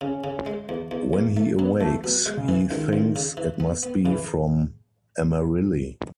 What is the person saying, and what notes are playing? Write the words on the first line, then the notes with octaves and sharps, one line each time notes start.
When he awakes, he thinks it must be from Amarilli.
C#3 C#4
C#3
G#3
E2
E2
E2
A3
F#3 B3
E2 A3
F#3 B3
G#3
C#3
E3
C#2 D#3
C#2
C#3
E3
B3
B3
C#3 E3